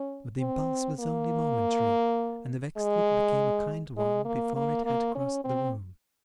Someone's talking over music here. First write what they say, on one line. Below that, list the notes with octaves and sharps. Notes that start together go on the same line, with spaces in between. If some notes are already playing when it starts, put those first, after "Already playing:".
But the impulse was only momentary, and the vexed look became a kind one before it had crossed the room.
Already playing: C#4
C4
A#3
G#3
G#3
A#3
A#3
A#3
C#4
C4